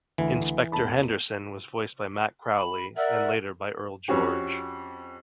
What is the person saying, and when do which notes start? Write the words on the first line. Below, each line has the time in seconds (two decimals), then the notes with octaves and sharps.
Inspector Henderson was voiced by Matt Crowley and later by Earl George.
0.18 D2 E3
0.72 E1 A5 B5
2.55 B5
2.97 A#4 D5 E5 F#5
4.08 F2 C#4 F#4 G4